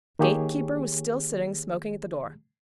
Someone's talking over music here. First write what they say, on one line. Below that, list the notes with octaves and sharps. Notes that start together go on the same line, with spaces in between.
The gatekeeper was still sitting smoking at the door.
D#3 A#3 G4 G#4 C#5